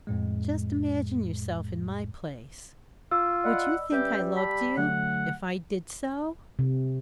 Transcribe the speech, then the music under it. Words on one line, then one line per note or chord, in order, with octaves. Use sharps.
Just imagine yourself in my place: would you think I loved you, if I did so?
F2 A2 G#3
F4 E6
D5 D#5 F#5 B5
G3 C#4 G4 B4 E5
A5 B5
D3 F#3 A3 F#5
C3